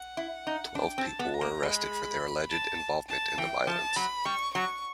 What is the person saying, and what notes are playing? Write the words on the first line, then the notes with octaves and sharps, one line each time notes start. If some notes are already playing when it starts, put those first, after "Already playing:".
Twelve people were arrested for their alleged involvement in the violence.
Already playing: F#5
E4
D#4
D4 G5
C4
A5
B3
A#5
A#3
G#3 B5
A5
A5
E3 G5
F3 A5
F#3 B5
G3 C#6
F#3 C#6